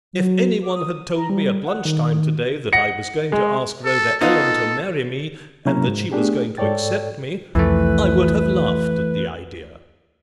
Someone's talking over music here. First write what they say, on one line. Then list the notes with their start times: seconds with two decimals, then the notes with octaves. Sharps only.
"If any one had told me at lunch-time to-day that I was going to ask Rhoda Ellam to marry me and that she was going to accept me I would have laughed at the idea."
0.13 F#3
0.62 D6
0.76 D#6
1.15 A#5
1.30 G3
1.65 F#5
1.85 D#3
2.73 F#5 A#6 C#7
3.32 G#3
3.85 A4
4.21 B3 D#4 F4 A4
5.66 C3 F#3 A#3 C#4 E4 A#5
5.88 G#2
6.12 A3 B3 D4 G4 G#4
6.57 G#2 A4 C#5 D5 G5 A6
7.55 C2 F2 E3 F3 A3 B4